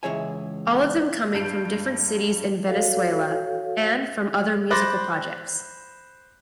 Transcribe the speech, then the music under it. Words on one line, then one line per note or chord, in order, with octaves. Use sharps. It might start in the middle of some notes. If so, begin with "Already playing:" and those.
All of them coming from different cities in Venezuela and from other musical projects.
C#2 E3 G#4 C#5 E5 G#5
G2 G6 C7 D7
F#4 A4 C#5 F5
C5 B5 D6 F#6 A6 A#6